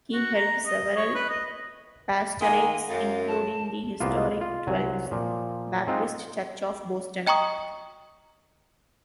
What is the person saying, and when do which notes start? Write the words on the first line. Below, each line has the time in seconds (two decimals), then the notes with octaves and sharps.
He held several pastorates, including the historic Twelfth Baptist Church of Boston.
0.13 F#4
0.35 A#5
0.67 D#5
0.97 C#5
1.15 B4
1.29 D#5
2.40 D#3 G#3 A#3 G#5
2.89 F#2 F5
3.27 A5
4.00 C2 A#3 B3 F4
4.41 F4
4.67 C2 F#3 G#5
5.11 A#2 F3
5.88 G#3 C4 D#4 F4
7.27 D#5 G5 A#5 C#6 D#6